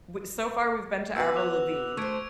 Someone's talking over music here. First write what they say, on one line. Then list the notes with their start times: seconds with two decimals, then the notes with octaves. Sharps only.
w so far we've been to Avril Lavigne,
1.16 B3 F#4 B4 E6
1.36 D6 F#6 F7
1.97 A3 C5 C#6 G#6 D7